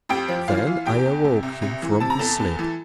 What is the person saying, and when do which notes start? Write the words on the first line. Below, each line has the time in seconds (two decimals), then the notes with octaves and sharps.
Then I awoke him from his sleep.
0.09 F2 G4 G5
0.28 F3
0.48 E3 F4 F5
0.67 E3
0.86 E2 G4 G5
1.06 E2
1.24 C3
1.43 C2
1.62 C2
1.82 E3
2.00 C3 A5
2.10 A#5
2.19 E2 A4 A5
2.40 E2
2.59 E3